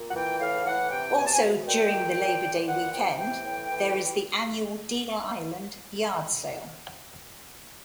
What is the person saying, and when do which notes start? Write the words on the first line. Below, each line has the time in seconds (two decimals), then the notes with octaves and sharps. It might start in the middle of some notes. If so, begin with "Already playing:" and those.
Also, during the Labor Day weekend, there is the annual Deal Island yard sale.
Already playing: A#2
0.09 F#5
0.15 E3 G5
0.40 A2 F5
0.66 E3 F#5
0.91 C3 G5
1.16 B2 G#5
1.25 A5
1.32 G#5
1.42 B2
1.66 A#2 G5
1.92 A#2
2.17 A#2
2.44 A#2
2.68 E3 F#5
2.93 C3 G5
3.19 E3 G5
3.44 A2
3.70 E3